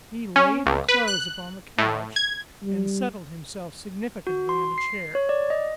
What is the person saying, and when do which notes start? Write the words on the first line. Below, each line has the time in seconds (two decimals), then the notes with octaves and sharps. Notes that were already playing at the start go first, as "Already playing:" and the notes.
He laid the clothes upon the couch--and settled himself significantly in a chair.
0.36 C#4
0.66 C#2
0.88 B4
1.08 F#6
1.78 A2
2.16 G#6
2.62 G3
4.27 F#4
4.49 C6
4.78 C7
5.15 C#5
5.29 D5
5.50 D#5